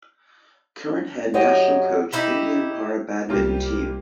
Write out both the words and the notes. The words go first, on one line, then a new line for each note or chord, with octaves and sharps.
Current Head National Coach Indian Para Badminton Team.
F#2 F#3 G4 C#5 D#5
D#4 E4 G4
C2 G3 A#3 F4 G4